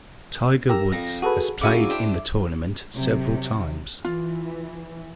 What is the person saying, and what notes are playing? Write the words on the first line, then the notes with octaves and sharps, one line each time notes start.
Tiger Woods has played in the tournament several times.
G4 A#4 A#5 E6
F2 A#6
F#4 G#4 A4 B4
C#3 F#3 E4 E5 G#5 D6
D4 G4 C5
C3 F#3
E3 F4